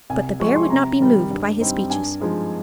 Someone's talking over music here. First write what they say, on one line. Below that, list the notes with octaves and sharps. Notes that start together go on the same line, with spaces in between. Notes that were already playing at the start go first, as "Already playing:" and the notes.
But the bear would not be moved by his speeches.
C2 G#5
C3 F3 G#3 C4 C#6
C6
C3 A#5
D#3 G3
G2
G3 C4 D#4
G2 G#5
F3 G#3 D#4